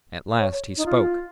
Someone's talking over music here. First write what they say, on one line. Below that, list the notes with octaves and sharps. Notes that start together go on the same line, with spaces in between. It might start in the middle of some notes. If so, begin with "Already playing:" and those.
At last he spoke.
C#5
D#4
F4